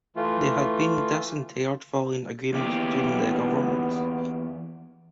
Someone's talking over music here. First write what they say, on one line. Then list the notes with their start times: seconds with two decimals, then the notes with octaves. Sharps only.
They had been dis-interred following agreement between the governments.
0.16 E3 A3 F4
2.53 E2 A#3 B3 G4